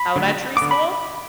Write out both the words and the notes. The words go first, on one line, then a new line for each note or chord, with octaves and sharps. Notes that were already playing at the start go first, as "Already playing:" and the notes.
elementary school,
Already playing: B5
D3 F#3 A3
D3 B3 D6
B5